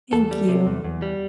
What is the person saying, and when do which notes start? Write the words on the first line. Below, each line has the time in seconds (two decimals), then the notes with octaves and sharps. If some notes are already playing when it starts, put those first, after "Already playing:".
thank you.
0.13 E2 A4
0.31 G3
0.49 C3
0.67 E2
0.84 E2
1.02 G3